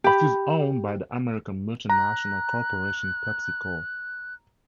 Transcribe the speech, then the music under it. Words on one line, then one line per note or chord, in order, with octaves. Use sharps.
It is owned by the American multinational corporation, PepsiCo.
G4 B5
A#5 F#6